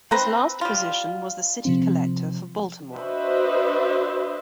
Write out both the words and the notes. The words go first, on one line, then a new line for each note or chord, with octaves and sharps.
His last position was the City Collector for Baltimore.
C4 B4 A#5
G3 F4
C3 F3 C4
D4 F#4 B4 C5 D#5 E5